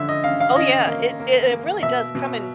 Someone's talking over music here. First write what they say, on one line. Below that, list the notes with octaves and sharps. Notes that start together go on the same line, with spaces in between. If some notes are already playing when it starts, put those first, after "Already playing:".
Oh yeah, it it it really does come in,
Already playing: D3 F3 C#4 E5
D#5
C#4 F5
F5
C#4 D#5
A#3
A#3
A#3
B2 E5
B2